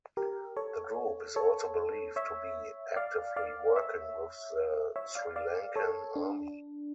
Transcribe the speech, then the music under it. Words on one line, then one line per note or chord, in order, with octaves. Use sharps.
The group is also believed to be actively working with the Sri Lankan Army.
G4 A#4
A4 C#5
A4 C#5
C#5 E5
D5 F5
D5 F5
C#5 E5
C#5 E5
D5 F5
D5 F5
A4 C#5
D4